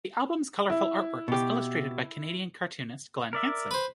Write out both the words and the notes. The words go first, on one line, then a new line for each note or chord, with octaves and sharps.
The album's colorful artwork was illustrated by Canadian cartoonist Glen Hanson.
E4
B2 G4
A#4 D5 E5
B4 C5